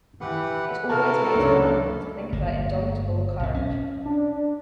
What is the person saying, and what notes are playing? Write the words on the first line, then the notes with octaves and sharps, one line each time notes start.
It always makes me humble to think of her indomitable courage.
E3 G4 B4 F#5
C3 E4 F#4 A4 A#4 A5 F6
F#1 C#2 C#4 D4
G1 A#3
B1 C4
C#4
D4